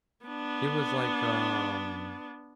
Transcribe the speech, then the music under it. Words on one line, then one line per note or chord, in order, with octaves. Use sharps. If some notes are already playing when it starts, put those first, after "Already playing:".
he was like, um,
B3 D4